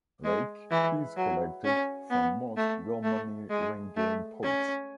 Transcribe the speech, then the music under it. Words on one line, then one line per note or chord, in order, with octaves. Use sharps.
Rake is collected from most real money ring game pots.
G#3
E3
F#3
C#4
B3
A3
A3
G#3
A3
C#4